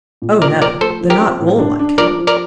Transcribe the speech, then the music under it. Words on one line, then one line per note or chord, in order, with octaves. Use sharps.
"Oh no; they're not all like him."
A#2
F3 A#4 D5
F3 A#4 D5
A3 A4 C5
F3
G4 A#4
C4
A2
D4
D4
F3 A#4 D5
F3
A#4 D5